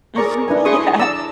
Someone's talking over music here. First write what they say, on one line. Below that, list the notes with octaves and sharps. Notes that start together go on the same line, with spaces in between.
Mhm. Yeah.
G#4 A#4 D5 A#5 C#6
D4 E4 B4 G#5
E4 G#4 C6 C#6 D#6
D5 A5 A#5 E6